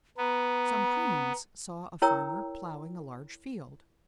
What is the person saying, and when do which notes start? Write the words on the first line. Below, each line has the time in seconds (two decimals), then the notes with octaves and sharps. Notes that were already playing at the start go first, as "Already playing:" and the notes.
Some Cranes saw a farmer plowing a large field.
0.18 B3 A#5
2.02 E4 A#4 C#5 G5 A#5 E6